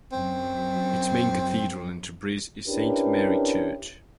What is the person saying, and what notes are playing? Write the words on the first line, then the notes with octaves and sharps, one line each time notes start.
Its main cathedral in Tabriz is Saint Mary Church.
F#2 C4
C#4 D4 E4 G4 A#4 B4